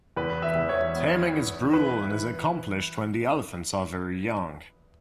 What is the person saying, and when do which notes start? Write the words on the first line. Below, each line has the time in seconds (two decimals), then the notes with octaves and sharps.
Taming is brutal and is accomplished when the elephants are very young.
0.17 E2 B4
0.42 E5
0.56 E2
0.69 C#5
0.95 B3
1.34 E3
1.73 E4 B4
2.12 E3